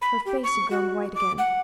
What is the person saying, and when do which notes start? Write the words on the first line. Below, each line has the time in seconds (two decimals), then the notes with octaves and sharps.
Her face had grown white again.
0.02 B5
0.26 G4
0.44 C#6
0.71 F#4
1.15 D6
1.38 F#5